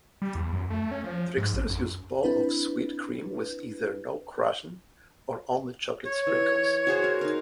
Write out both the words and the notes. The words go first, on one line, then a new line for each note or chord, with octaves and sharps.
Tricksters use balls of Sweet Cream with either no Crush'n or only chocolate sprinkles.
G3
E2
F#2
A3
C#4
F3
G#2
A1
F#2
C4 D4 E4 B4
C#5
E3
F#4 G#4 C5
A#4
D#4 A#4